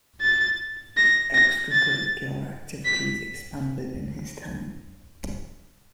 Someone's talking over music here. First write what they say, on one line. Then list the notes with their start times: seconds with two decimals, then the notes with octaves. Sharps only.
Extracurricular activities expanded in his time.
0.21 A6
0.97 A#6
1.34 A#6
1.72 A6
2.85 B6